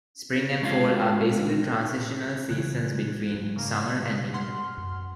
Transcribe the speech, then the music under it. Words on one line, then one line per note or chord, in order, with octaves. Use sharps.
Spring and fall are basically transitional seasons between summer and winter.
G#3 B3 D4 F4 C#5 F5
C#3 E3 G3 F#6 G#6
G#2 F#3
C#3 A#3
B2
F#5 C6 F6
F#2